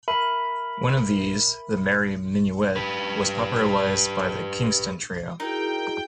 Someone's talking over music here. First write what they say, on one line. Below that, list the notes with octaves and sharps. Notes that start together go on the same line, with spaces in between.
One of these, "The Merry Minuet", was popularized by the Kingston Trio.
A#4 E5 B5
G4 B4
D#4 E4 F#4 G#4 A#4 G5